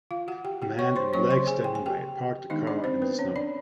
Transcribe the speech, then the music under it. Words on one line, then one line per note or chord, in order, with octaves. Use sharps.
Man in black standing by parked car in the snow.
F4 F5
F#4 F#5
G4 G5
G4 G5
C#5 C#6
C5 C6
F#3 A#3 C#4 C#5 C#6
C5 C6
G#4 G#5
G5
G#5
G4 G5
D#3 G#3 B3 D4 D#4 D#5
D4 D5
C4 C5
B3 B4
C#4 C#5
D4 D5